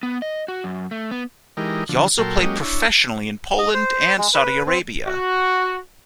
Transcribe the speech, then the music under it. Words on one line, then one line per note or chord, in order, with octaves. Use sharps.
He also played professionally in Poland and Saudi Arabia.
B3
D#5
F#4
F#2
A3
B3
E3 G#3 D#4 G4 A#4
D3 F3
A#2 F#3 A4 A#4 G5 C6
F#3 G#3 A#3 C#4 G4 D#5
D4 E4 C#5
D#5
C5
G#3
B4
C4
F#4